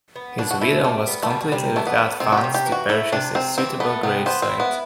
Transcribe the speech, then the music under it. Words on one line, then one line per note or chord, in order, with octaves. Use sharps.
His widow was completely without funds to purchase a suitable gravesite.
B3
B2 D4
F#4
B2 E4
G3 A3
B3
A3
B2 G3
C3 G3
E3 A3
B3
A3
C3 C4
F#4
G4
C3
G4
E3
F#4
A3 E4
C3 D4
C3 C4
E3 C4
A3 B3
C3 B3
B3 C5
C4
E4
B3